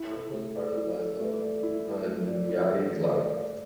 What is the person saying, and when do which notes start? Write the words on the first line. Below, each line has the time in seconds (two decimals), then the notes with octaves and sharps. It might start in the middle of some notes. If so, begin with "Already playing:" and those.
It chronicles part of László Hunyadi’s life.
Already playing: E4
0.11 A4
0.33 A3
0.55 D5
0.76 E4
0.98 A4
1.20 A3
1.41 D5
1.63 E4
1.84 A4
2.07 A3
2.28 D5
2.49 E4
2.71 A4
2.93 A3
3.14 D5